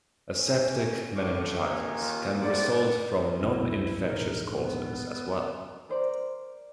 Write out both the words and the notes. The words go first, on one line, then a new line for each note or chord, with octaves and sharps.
Aseptic meningitis can result from non-infectious causes as well.
G#1 C#4
A2 F5 C#6 D6
D#2 A#3 C#4 F5
F4
A2 C5 D5 F#5 D6
C#2 F#2 E4
E1 A#1 G#2 A#4
B3
A#4 C5 D5